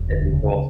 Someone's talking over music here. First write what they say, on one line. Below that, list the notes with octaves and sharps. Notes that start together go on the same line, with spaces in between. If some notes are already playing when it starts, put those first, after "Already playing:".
that'd be cool.
Already playing: E1
D2
C#3